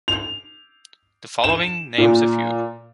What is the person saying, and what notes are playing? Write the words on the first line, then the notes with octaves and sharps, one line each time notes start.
The following names a few.
F7
E7
A#2